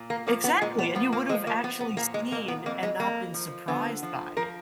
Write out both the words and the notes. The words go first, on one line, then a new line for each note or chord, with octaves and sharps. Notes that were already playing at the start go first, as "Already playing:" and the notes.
Exactly! And you would've actually seen and not been surprised by it.
Already playing: A#2
A#3
F3 A#3
B3
A#2 G#3
B3
F3 B3
A#3
F3 G#3
A#3
F3 B3
B3
A#2 A#3
G#3
F2 A#3
B3
F2 A#3
G#3
F2 A#3
F3
D3 B3
F3
F3 A#4